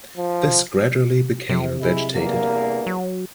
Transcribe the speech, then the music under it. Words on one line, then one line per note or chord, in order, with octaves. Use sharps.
This gradually became vegetated.
F3
C3
G#3 E4
E2 G2 A#3
F#3